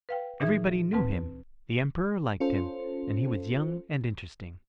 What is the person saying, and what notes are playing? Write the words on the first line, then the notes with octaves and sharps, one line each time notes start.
Everybody knew him, the Emperor liked him, and he was young and interesting.
B4 F5 G5
A#2 E3 D#4 G#4 E5
D2 C4 B4 A5
C#4 F4 A4 C5